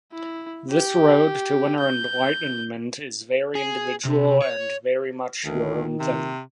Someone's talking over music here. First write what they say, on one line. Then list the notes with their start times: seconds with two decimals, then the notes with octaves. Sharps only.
This road to inner enlightenment is very individual and very much your own thing.
0.12 E4
0.70 G4
1.80 G6
3.55 G#4
4.05 C3
4.42 C#5
5.45 D2 D#3
6.00 C3